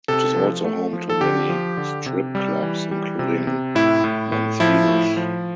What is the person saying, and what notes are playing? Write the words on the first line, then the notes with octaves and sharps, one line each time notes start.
It is also home to many strip clubs, including Mons Venus.
C3 A4
F3
A3
F3
A4
D3 G4
F3
D3
C3
G3
E3
G3
C3
C3
A2 E4
A2
A2
F3 E4
A2
F3